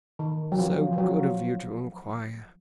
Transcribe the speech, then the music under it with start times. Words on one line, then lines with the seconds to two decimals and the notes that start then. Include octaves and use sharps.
So good of you to inquire!
0.19 D#3
0.52 F#3
0.59 F3
0.93 F3
0.98 F#3